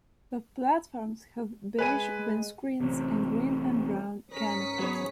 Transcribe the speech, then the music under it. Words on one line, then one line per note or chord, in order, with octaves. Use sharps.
The platforms have beige windscreens and green and brown canopies.
G#3 B4 G#5 D#7
A1 C3
G#2 C#4 A#4 D#6 B6 C#7
F#3 B3 G#4 B4 C#5